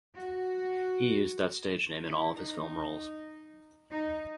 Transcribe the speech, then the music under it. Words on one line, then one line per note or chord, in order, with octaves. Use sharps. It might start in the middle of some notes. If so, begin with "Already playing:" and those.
He used that stage name in all of his film roles.
F#4
E4
D#4
D#4